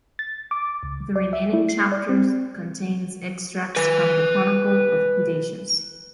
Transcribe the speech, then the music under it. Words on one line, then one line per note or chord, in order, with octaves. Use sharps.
The remaining chapters contains extracts from the Chronicle of Hydatius.
A6
D6
C#2
D5
E5
E4
C7
D5
C4
B4 G#5